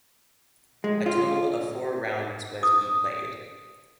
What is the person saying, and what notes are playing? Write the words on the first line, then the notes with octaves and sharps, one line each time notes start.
A total of four rounds was be played.
G#3
F4
D#6